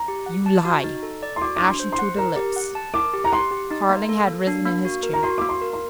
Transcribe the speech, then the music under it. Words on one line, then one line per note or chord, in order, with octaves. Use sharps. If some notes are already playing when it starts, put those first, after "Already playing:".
"You lie!" Ashen to the lips, Carling had risen in his chair.
Already playing: A#5
G4
F#5
A5
F#4
D#4
A4
D5
C6
F#4 D6
D4 D6
C6
C5
C6
F#5
A#4 A#5
G4
F#5
A5
A#4 D6
G4
A#5
F#5 C6
G4
D#4
A#3
A4
A#3
D4
A#3
F#4
A#4
A#5
F#4 C6
A#3 D6
C6
A#4
C6